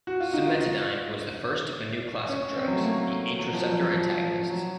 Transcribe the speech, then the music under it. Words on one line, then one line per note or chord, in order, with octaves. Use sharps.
Cimetidine was the first of a new class of drugs, the H-receptor antagonists.
F#4
F4
D#4
F4
C#4
C4
F#3
A3
A#3
F#3
F3
F#3
F3
F3
F3
F#3